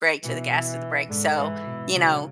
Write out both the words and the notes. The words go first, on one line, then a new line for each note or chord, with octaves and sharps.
brake, to the gas to the brake, so, you know.
B2 E3
E3
G#2 D3
G#2 E3
B2
C#3 F#3